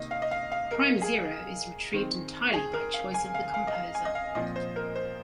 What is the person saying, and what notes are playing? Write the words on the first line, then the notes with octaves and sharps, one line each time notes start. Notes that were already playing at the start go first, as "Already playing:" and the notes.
"Prime zero" is retrieved entirely by choice of the composer.
Already playing: C3 D#3 A#3 D#5
F5
D#5
F5
F5
A#4
G#4
D#3 C4
G#4
A#4
F5
G#5
F5
F5
D#5
F5
G#5
D#5
F5
A#2 F3 C4 D#5
C5
A#4
C5